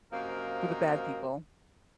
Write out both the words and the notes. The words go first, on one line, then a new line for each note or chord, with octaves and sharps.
For the bad people.
F#2 C3 F3 A#3 A#4 D#5